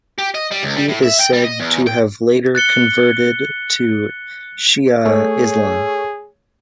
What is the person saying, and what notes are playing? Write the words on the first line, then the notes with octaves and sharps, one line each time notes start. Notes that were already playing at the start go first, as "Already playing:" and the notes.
He is said to have later converted to Shia Islam.
G4
D#5
G3
C#2
G3
A2
E5
G5
G3
D#5
E2
G5
F#6 A6 C#7 G7
A3 G#4 C#5